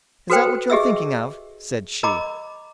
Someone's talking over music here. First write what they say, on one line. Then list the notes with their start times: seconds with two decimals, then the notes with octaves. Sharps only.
Is that what you're thinking of?' said she.
0.30 F#4 A4 B4 C5 G5
0.70 G4 G#4 D#5 E5 E6
2.03 A#4 D#5 A#5 B5 D6